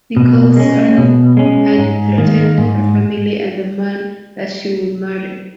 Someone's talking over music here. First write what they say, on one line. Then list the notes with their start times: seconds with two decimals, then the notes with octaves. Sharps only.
Nicholson had threatened her family and the man that she would marry.
0.17 B2
0.57 G#3 C#4
0.97 B2
1.37 G#3 C#4
1.78 G#2
2.18 D#3 A#3
2.58 G#2